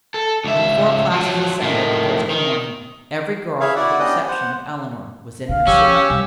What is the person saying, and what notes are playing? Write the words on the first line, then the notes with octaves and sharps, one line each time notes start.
When the four classes assembled Thursday morning, every girl, with the exception of Eleanor, was in her seat.
A4
C#2 E5
F3 F#3
A2 D#3
D#3
G#4 B4 C#5 E5 F5
E4 F#4 D5 F#5
B3 C#4 D4 G4 D#5 D#6
C5 F#5
D3 F5
F3 C#4 G4 E6
C2